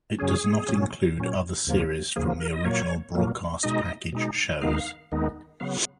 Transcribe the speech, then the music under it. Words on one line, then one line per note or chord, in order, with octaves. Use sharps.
It does not include other series from the original broadcast package shows.
F#2 C#3 F#3 C#4 G#4
A#2 F#3 C#4
A#2 F#3 C#4
D#2 C#3 F3 A#3
D#2 C#3 F3 A#3 G#4
A#4
D#5
A#2 F#3 A#3 C#5
A#2 F#3 A#3
B2 G#3 D#4 D#5
B2 G#3 D#4
D#2 D#3 G#3 B3 D#4 F5
D#2 D#3 G#3 B3 D#4
C#3 F#3 B3 F5